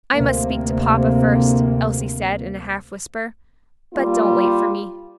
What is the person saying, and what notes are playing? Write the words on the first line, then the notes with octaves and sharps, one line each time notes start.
"I must speak to papa first," Elsie said in a half whisper, "but don't wait for me."
D2 C3 A#3
G3 A#3 F4